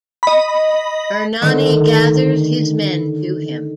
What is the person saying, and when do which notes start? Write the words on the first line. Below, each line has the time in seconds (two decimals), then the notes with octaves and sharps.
Ernani gathers his men to him.
0.23 D#5 B5
1.41 D3 D#3 A3